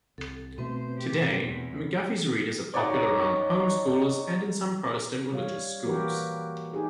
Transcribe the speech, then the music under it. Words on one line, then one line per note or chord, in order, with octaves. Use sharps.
Today, McGuffey's Readers are popular among homeschoolers and in some Protestant religious schools.
C2 A4
B2 A3 B3 C4 B4 C5
G4
E2 E3
D#4 F#4 C#5 D5
G3 C#5 F5
E3 A#3 F#4 G4 A#4 B4
D#4 G4 G#4